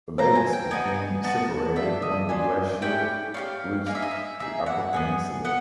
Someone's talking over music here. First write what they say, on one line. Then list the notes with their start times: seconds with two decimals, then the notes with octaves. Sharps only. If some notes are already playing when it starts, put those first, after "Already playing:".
The lakes became separated when the glacier reached the upper peninsula.
0.18 C4 F4 A4 A#5
0.35 G#5
0.53 G5
0.71 B3 D#4 F#4 G#5
1.24 B3 D#4 F#4 A5
1.76 D4 F4 A4 E5
2.02 D#5
2.29 D4 F4 A4 G#5
2.82 C#4 E4 G4 G5
3.34 C#4 E4 G4 F5
3.86 A#3 D#4 G#4 F5
3.95 E5
4.02 D#5
4.11 E5
4.39 A#3 D#4 G#4 E5
4.66 F#5
4.93 B3 D#4 G#4
5.45 B3 F#5